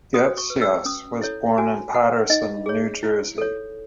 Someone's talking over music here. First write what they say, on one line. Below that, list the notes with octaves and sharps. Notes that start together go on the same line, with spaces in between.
Goetschius was born in Paterson, New Jersey.
F#4 D#6
C#6
B4
E6
C#4 D#6
E4 A4 C#5
F#4 G#5
B4 F#5
D#4 D#5
G#4 C#5
E4
A4 C#5